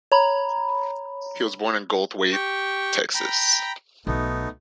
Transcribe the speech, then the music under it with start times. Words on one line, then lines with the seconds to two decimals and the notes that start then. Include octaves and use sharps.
He was born in Goldthwaite, Texas.
0.12 C#5 A#5 B5
2.33 G4 G5 C#6
3.15 G5 A#5 B5
4.07 B1 A3 B3 D#4